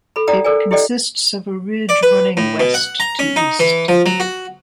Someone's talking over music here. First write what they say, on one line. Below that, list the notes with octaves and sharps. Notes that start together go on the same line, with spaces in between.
It consists of a ridge running west to east.
A4 B5
E4 D5 F#5 G5 A#5 D#6
A4 A#4 D5 G#5
E4 G4 A4 D5 D#5 G5
D5
B4
A2
B2
F#5
A#5
C#4
D#4
E3
F3
F#3
F#4